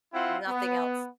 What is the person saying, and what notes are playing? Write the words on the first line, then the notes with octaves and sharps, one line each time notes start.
Nothing else.
C4 E4 F4 F#5
B3